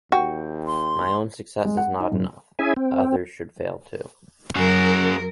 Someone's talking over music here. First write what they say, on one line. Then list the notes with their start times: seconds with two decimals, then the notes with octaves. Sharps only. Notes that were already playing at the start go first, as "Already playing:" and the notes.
My own success is not enough, other should fail too.
0.12 D#2 F#4 G5
0.67 C6
1.65 G#3
1.77 F#5
2.00 D#4
2.12 F#2
2.59 C#4 E4 G#4 E5 G#5
2.76 C4
4.55 F#2 C#4 F#4 G#4 A#4